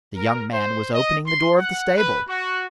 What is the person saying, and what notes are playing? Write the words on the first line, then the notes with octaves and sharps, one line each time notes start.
The young man was opening the door of the stable.
A#4
C5
D#5
C6
F#5
B4
F#4